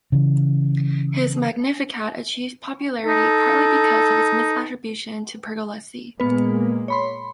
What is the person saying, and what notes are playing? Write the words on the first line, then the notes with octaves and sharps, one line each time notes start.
His "Magnificat" achieved popularity partly because of its misattribution to Pergolesi.
C#3 E3
D#4 A4
A#2 G#3 A#3 B3 B4
C#5 B5 C6